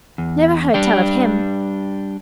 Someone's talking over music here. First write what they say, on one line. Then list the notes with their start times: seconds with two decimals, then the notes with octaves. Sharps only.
"Never heard tell of him!"
0.18 E2
0.74 G3 D4 G4